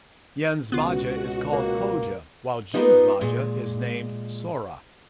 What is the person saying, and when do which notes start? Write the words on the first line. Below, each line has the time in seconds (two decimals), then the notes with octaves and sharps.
Yen's Maga is called Koga, while Jin's maga is named Sora.
0.72 C#2 B2 B3 F4 F#4
1.53 A#3
2.74 B3 D#4 F4 G4 A#4 B4
3.21 A#2 G#3